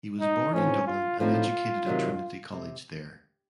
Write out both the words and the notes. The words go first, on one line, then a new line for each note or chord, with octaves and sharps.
He was born in Dublin and educated at Trinity College there.
D#4
A2 F3 C4 C#4 D#4
F4
A2 F3 C4 D#4 F4
C3 D#3 F#3
C3